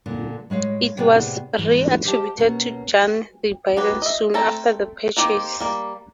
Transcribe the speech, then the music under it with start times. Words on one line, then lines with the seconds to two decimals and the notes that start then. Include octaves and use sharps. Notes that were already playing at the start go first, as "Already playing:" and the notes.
It was reattributed to Jan de Baen soon after the purchase.
0.06 A#2 D3
0.50 A2 G#3 C#5 F5
0.97 A2 C3 B3 G#4 D5 G5
1.57 G#2 E3
2.05 G4 C5 D#5 F5 F#5 A5
2.38 B2 A#3 C#4
3.77 F#3 G4 B4
4.02 D#5 E5
4.34 A3 C4 A4 A#5
5.17 D#3 A#3 C4 G4
5.60 G3 A#3